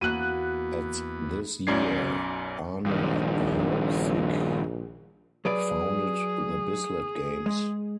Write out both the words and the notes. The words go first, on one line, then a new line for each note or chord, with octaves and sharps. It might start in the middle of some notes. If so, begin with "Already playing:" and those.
At this year Arne Haukvik founded the Bislett Games.
E2 A#3 B3 F#4 F#6 D#7
B1 F#2 C#4 D5 G#6 C7
A#1 G2 D#3
F#3 G#4 B4 D5
G#3